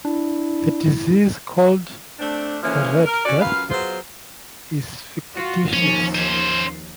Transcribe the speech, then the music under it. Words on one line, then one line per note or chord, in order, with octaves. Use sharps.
The disease called the Red Death is fictitious.
D4 E4
A3 C4 D4
D3 E3 F3 A#3 C#4
A#4
C#4 F#4 C#5 D5
F#2 F4 B4 F5
F#3 B3 F4 G#4 C5
F4 F#4
D#2 F3 C#4
C#4 C5